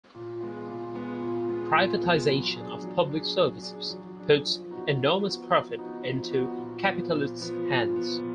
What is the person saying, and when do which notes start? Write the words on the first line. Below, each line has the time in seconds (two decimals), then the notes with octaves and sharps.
Privatization of public services puts enormous profit into capitalists' hands.
0.14 A#2
0.41 G#3 B3 F4
0.68 A#2
0.95 G#3 B3 F4
1.21 A#2
1.49 G#3 B3 F4
1.75 A#2
2.02 G#3 B3 F4
2.29 F#3
2.56 D4 G#4
2.83 F#3
3.09 D4 G#4
3.36 F#3
3.63 D4 G#4
3.89 F#3
4.16 D4 G#4
4.44 F3
4.70 B3 D#4 F#4
4.97 F3
5.23 B3 D#4 F#4
5.50 F3
5.77 B3 D#4 F#4
6.05 F3
6.31 B3 D#4 F#4
6.57 A#2
6.84 F3 B3
7.11 A#2
7.38 F3 B3
7.65 A#2
7.92 F3 B3
8.19 A#2